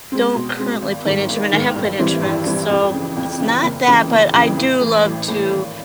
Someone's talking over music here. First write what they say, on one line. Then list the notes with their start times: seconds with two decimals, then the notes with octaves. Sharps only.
don't currently play an instrument, I have played instruments, so it's not that, but I do love to,
0.12 G#3 C4
0.35 B2
0.58 G#3 C4
0.82 G#1
1.06 G#2 D#3
1.29 G#1
1.53 G#2 D#3
1.76 G2
1.99 E3 G3 C4 E4
2.23 G2
2.46 E3 G3 C4 E4
2.70 F2
2.93 C#3 E3
3.17 F2
3.40 C#3 E3
3.63 F#1
3.87 F2 C#3 E3
4.10 F#1
4.33 F2 C#3 E3
4.57 A1
4.81 A2 E3
5.04 A1
5.28 A2 E3
5.50 G#1